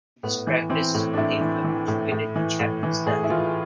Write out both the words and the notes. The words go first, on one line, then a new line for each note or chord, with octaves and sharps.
This practice is believed to have contributed to Chapman's death.
A2 B3
E3
E3 C4
A2
D4
A2 E4
E3
E3
A2
A2
E3
A2
E3
A2 G#4
E4
E3 F4